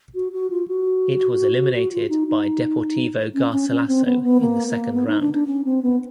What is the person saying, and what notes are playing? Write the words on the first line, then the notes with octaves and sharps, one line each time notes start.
It was eliminated by Deportivo Garcilaso in the Second Round.
F#4
F#4
F4
F#4
F#4
F4
D#4
D#4
C#4
C#4
C#4
C4
B3
B3
A#3
A#3
B3
D#4
D4
D4
C#4
C4
B3